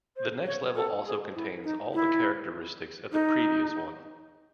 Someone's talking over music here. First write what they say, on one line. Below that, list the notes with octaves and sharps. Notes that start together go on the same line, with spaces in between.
The next level also contains all the characteristics of the previous one.
C5
C#5
A4
G#4
E4
D#4
E4
D#4